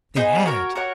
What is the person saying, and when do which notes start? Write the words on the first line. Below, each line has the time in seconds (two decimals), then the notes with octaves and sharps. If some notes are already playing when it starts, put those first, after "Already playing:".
They had!
0.16 B3 D#4 G#4 C5
0.46 F#4 A#4 C#5
0.75 F#4 A#4 C#5 F#5